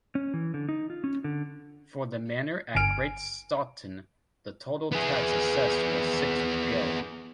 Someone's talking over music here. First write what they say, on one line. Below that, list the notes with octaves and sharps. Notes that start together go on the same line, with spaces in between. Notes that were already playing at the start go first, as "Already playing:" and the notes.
For the manor at Great Staughton the total tax assessed was six geld.
C#4
E3
D3
D#4
F4
C#4
D3
G1 G#5 F6 D7
B3 G#4